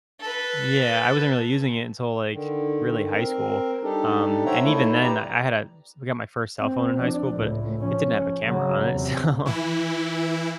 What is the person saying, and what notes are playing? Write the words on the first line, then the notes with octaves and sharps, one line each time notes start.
Yeah, I wasn't really using it until, like, really high school, um, and even then, I had a s I got my first cell phone in high school, but it didn't have a camera on it. So,
A4 B4
D3 D#3
C4 A#4
G3 D4 D#4 G4 A4
C5 C#5 E5 F#5 G5 A#5
A3 A#3 D#4 E4 C#5
G4 B4 D5 A#5
C4
F3 D4
C#2 A2
F3 C#4
C#3 F#3
E2 C3
E3 E4